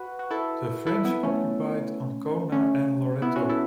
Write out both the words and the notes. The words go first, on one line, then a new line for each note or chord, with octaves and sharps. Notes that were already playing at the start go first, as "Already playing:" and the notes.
The French occupied Ancona and Loreto.
Already playing: F#4 B4
F#4
E4 A4
E4 A4
B3 E4
A3 C#4
A3 C#4
B3 E4
C#4 F#4
E4 A4